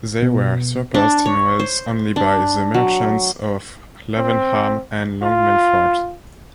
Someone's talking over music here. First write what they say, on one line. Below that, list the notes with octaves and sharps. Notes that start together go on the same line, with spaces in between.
They were surpassed in wealth only by the merchants of Lavenham and Long Melford.
B2
D4
C#5
C5
D4
F#3
C4
F4